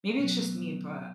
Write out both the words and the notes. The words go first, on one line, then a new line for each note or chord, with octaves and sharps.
maybe it's just me, but
B2 F#3 B3
A3